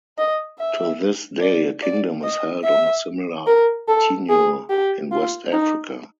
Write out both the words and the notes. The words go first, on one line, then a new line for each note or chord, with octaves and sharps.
To this day a kingdom is held on a similar tenure in west Africa.
D#5
E5
D5
D5
D#5
E5
A#4
A4
G#4
G4
F4
D#4